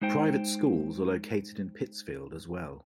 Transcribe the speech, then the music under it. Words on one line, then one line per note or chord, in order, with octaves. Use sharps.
Private schools are located in Pittsfield as well.
G#3 D#4 C5 G5